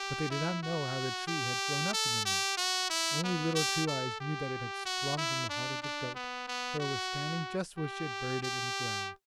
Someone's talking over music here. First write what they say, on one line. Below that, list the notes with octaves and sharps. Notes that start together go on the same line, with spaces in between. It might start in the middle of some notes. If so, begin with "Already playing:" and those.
But they did not know how the tree had grown up in the night; only Little Two-eyes knew that it had sprung from the heart of the goat, for it was standing just where she had buried it in the ground.
Already playing: G4
E4
F#4
G4
A4
G4
F#4
E4
B3
G4
A4
G4
F#4
E4
D4
D4
B3
B3
F#4
G4
G4